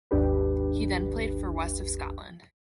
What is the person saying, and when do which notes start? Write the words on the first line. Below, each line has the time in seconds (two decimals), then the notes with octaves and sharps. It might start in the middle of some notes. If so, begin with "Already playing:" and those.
He then played for West of Scotland.
0.11 G#1 D#2 D4 G4 B4